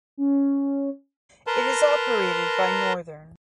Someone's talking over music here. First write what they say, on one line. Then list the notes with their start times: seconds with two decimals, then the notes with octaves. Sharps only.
It is operated by Northern.
0.17 C#4
1.47 A#4 B4 A5 A#5 C6